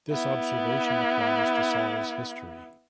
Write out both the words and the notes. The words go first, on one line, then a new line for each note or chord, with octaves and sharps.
This observation applies to Saul's history.
B3 E4